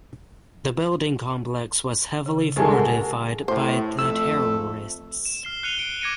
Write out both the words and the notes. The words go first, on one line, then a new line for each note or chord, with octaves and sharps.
The Building Complex was heavily fortified by the terrorists.
C#3
C2 G#3 A4 G#5 A5
A#4 F#5 G#5
A2 C5
F2 A3 E6
E7
F6 C7 G7
F#6 C#7 D#7 F7 G7
C#7 D7
D6 G#6 A#6 C#7 D#7